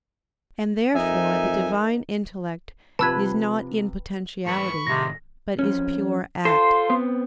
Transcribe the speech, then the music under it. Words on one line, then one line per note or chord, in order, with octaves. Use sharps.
And therefore the Divine intellect is not in potentiality, but is pure act.
F2 D#4 A#4 E5 G#5
C3 F3 B4 A5 E6 G#6
G#2 E3 B4 B5 C#6
A2 C3 D#3 A#6
F2 C#4
F4 A4 C5
B3 C4